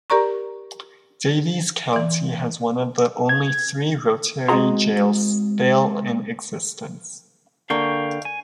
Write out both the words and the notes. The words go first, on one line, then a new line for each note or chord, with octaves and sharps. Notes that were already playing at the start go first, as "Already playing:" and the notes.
Daviess County has one of only three Rotary Jails still in existence.
G4 A#4 D5 A#5 C#6
E3 D5
G#6
G#3 C4 F#4 G#4 A#5 C6
D3 A#3 F5 G5 C#6
G#5